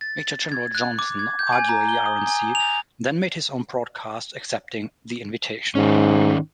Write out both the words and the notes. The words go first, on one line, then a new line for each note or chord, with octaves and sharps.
Major General Johnson Aguiyi-Ironsi then made his own broadcast, accepting the "invitation".
A6
G#6
F#6
D6
G#6
G6
G#5
A#5
G7
D#6
G#5
F7
G#2 D#3 C#4